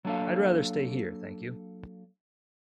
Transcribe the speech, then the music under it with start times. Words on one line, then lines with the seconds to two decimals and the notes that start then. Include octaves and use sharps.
I'd rather stay here, thank you.
0.05 F#3 A#3 D4 A4 F5